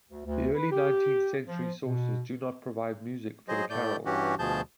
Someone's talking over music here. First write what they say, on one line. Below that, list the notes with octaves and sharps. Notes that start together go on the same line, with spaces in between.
The early nineteenth-century sources do not provide music for the carol.
D2
D2
B4
G4
F3
B2
F#3 G#4 C5 D#5
A2 A3 D5 G6
G2 E3 C#4 F#4 G4
D2 B2 F3 G#4 A5 G6